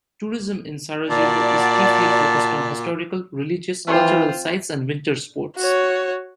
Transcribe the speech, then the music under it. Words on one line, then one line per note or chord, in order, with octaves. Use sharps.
Tourism in Sarajevo is chiefly focused on historical, religious, cultural sites and winter sports.
A#2 F#4 D5 A5
E3 C4 F4 C5
F#4 C#5